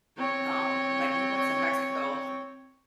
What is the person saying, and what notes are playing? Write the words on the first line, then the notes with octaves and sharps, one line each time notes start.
um, like, we went to Mexico.
C4 C#5